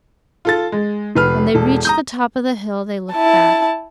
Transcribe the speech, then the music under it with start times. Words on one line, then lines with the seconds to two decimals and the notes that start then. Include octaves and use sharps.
When they reached the top of the hill they looked back.
0.45 F4 A4 A6
0.72 G#3
1.15 F1 B4 F6
1.55 E1 A4
1.85 A#5 D#6 G6
3.13 E4 A5